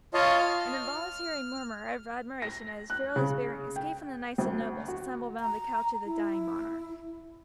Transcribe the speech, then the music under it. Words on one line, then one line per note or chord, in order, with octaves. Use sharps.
An involuntary murmur of admiration at his fearless bearing escaped from the knights and nobles assembled round the couch of the dying monarch.
F4 C#5 D#5 F5 A5
F6
A#6
F#6
C#3
G5
D2
F#4
A#5
E4